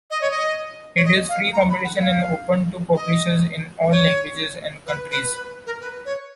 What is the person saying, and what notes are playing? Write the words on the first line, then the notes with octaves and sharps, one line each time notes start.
It is free competition and open to publishers in all languages and countries.
D#5
C#5
D#5
C#5
D#5
F5
A#5
B5
F#5
F5
D#5
C#5
B4
B4
B4
A#4
B4
C#5